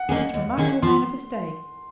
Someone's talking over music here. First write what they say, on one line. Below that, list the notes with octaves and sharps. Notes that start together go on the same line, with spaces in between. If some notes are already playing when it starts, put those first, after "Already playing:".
Most remarkable man of his day.
Already playing: F#5
D#3 A#3 C#4 G#4
D#2
D#3 A#3 C#4 G#4
F3 C6